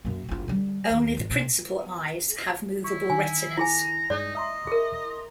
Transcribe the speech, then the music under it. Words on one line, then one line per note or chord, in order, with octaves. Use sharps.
Only the principal eyes have moveable retinas.
F#2 A#3
F#1 F4
D3 G3
D#2
G#1
C3
E4 C#6
D3 D#3 G#5
E4 G#4 G#5 A#5
G2 G#3 D#4 D5
D#5 E5 A#5 C6
G#4 A#4